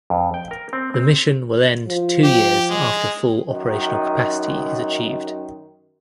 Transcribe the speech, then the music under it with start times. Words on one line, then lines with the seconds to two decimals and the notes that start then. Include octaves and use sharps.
The mission will end two years after full operational capacity is achieved.
0.10 F2
0.34 G5
0.51 A#4
0.73 C4
0.94 C4
1.88 F3
2.24 G4
2.70 G#3
3.46 F#2 D#3